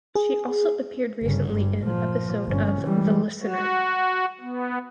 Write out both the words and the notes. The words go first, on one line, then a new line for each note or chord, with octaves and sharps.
She also appeared recently in an episode of "The Listener".
G#4
G1 C#3
G2
A#2 F3
G1 C#4
E3 G3
F#4
B3